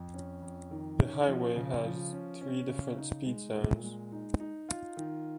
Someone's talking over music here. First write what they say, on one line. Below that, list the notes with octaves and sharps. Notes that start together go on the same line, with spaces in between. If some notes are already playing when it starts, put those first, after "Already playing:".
The highway has three different speed zones.
Already playing: F2
C#4
F2
D#3
C#4
F3
C#3
F3
C#4
C#4
C#3
D#4
G#3
A#2
G#3
D#4
D#4
F4
D#3